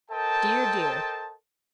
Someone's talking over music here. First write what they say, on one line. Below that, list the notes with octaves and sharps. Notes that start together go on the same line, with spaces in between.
Dear, dear!
A4 A#4 C5 D#5 G5 A5